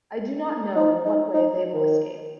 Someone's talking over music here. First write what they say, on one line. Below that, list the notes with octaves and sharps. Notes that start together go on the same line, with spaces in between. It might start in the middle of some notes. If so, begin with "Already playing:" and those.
I do not know in what way they will escape.
D#4
D#4
D#4
D#3